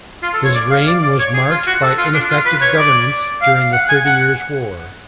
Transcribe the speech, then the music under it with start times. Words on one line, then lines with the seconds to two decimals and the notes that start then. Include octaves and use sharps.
His reign was marked by ineffective governance during the Thirty Years' War.
0.23 F4
0.34 A4
0.44 C#5
0.55 D5
0.71 F5
0.87 D5
1.03 D5
1.19 C#5
1.34 G#4
1.50 F4
1.67 F#4
1.83 A4
1.98 F4
2.14 D4
2.30 F4
2.46 B4
2.61 C#5
2.78 D5
3.42 F5
3.73 F#5
3.89 G#5
4.05 F#5